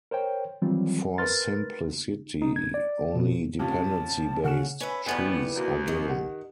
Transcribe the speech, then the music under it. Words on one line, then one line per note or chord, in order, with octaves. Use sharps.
For simplicity, only dependency-based trees are given.
A#4 C5 C#5 G5
D#3 E3 F#3 G3 C4 F4
A#4 B4 C6 F6 A6
D#4
G#6
D5
B2
C3 F3 C#4 A5
C#3 F#5 F6 E7
C#4 B4 E5
E2 A2 E3 G3 B3 D5 F#5 G#5
D#2 A#3 F#4
F2 D#3
G4 F#5